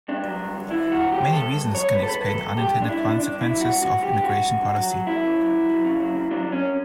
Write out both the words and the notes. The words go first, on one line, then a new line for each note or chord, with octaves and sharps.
Many reasons can explain unintended consequences of immigration policy.
G2 D4
F#3
G2
D3
D3 E4
F#3
F#4
D3
G4
G2
G2 A4
G2
F#3
C#5
G2
D3 B4
A4
G2 B4
F#3 A4
G2
G2 G4
D3
D4
G2 E4
D3 D4
G2 D4
D3
E4
F#3
F#4
G2
D3 F#4
G2 G4
D3
G2 F#4
G2
D3
F#3
F#3
F#2 E4
C#3
F#3
F#3
F#3
C#3
F#3
C#3
F#3 D4
F#3
C#4